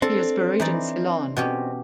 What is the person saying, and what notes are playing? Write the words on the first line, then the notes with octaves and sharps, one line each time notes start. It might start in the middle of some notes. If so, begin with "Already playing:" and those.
He is buried in Ceylon.
C4 D4 A4
E3 D#4 D5
B2 C#4 G4